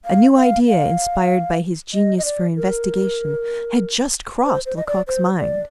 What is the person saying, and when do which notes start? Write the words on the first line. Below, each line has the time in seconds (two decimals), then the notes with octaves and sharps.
A new idea inspired by his genius for investigation had just crossed Lecoq's mind.
0.05 F5
0.37 F5
0.68 F5
1.94 D#5
2.18 D#5
2.25 D5
2.57 A#4
4.45 C5
4.66 C5
4.77 D#5
4.87 D5
5.08 C5
5.39 D5